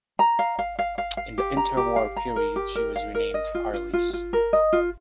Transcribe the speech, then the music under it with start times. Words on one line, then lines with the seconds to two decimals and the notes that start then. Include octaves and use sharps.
In the interwar period she was renamed "Arlis".
0.19 A#5
0.39 F5
0.59 F5
0.79 F5
0.98 F5
1.17 F5
1.38 G4
1.57 A#5
1.77 G4
1.96 F5
2.17 A#5
2.36 A#4
2.56 G4
2.75 A#4
2.96 F5
3.15 A#4
3.34 D#5
3.55 F4
3.74 F4
3.93 F4
4.13 F4
4.33 A#4
4.53 D#5
4.73 F4